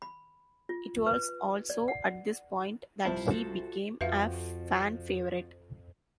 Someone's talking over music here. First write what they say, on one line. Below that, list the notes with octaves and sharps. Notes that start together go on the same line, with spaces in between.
It was also at this point that he became a fan favourite.
B5
F4
B4
D5
F#5
C2 E4 F4 C5 A5
F4 F#4 A4
F2 F3 F#4 B4 E5 F5